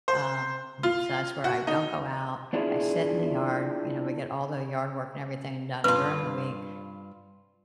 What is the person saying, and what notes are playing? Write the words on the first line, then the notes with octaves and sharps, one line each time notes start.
Um, so that's where I don't go out, I sit in the yard, you know, we get all the yard work and everything done during the week,
C5
F4
F#4
D#4
B3 D4 E4 F4 G#4
G2 F4 B4